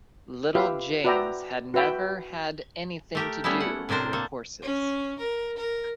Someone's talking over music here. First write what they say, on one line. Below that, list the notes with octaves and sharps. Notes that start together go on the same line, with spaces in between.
Little James had never had anything to do with horses.
F4 G4 B4 E5 F5
F#4 B4 D5 E5 G5 A#5
F#4 B4 E5 G5 B5
A3 G4 A#4
G3 A3 B3 C#4 E4
F#5
A2 C3 D4 A#4 C5
A#3 A4
C#4
A#4
A#4